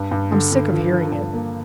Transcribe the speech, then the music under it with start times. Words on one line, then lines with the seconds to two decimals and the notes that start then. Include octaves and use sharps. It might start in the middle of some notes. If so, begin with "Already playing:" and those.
I'm sick of hearing it.
Already playing: G2
0.11 G2
0.32 D3
0.52 D3
0.73 F3
0.92 F3
1.12 G2
1.33 A#3